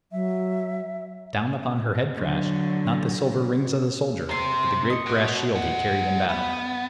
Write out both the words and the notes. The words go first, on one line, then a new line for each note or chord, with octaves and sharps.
Down upon her head crashed--not the silver rings of the soldier, but the great brass shield he carried in battle!
F#3 E5
D3 F#3
C3 C5 C6
D#5 C#6
F#4 B4
G#3 F#5
B3